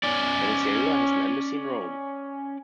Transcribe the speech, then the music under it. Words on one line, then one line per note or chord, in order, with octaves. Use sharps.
Venezuela has an embassy in Rome.
C#4 D5